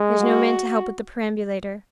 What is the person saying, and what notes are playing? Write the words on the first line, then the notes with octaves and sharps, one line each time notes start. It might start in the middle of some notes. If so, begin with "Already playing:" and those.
There's no man to help with the perambulator.
Already playing: G#3
F#4